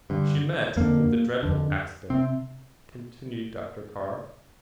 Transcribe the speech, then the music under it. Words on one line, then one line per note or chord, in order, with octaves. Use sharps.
"She met with a dreadful accident," continued Dr. Carr.
G2 D3
F2 D3 A#3
F2 D3
C3 C4